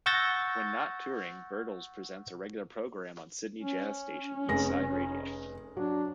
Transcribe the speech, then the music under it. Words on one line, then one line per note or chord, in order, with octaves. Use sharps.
When not touring, Bertles presents a regular program on Sydney jazz station Eastside Radio.
F#5 C#6 E6 G6 A6 A#6
C#4
F1 G#4 A#6
F#3 D4